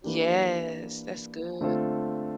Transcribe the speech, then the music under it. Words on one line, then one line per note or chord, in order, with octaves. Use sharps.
Yes, that's good.
E3 A#3 D4 G4
D3 A3 C4 F4 A4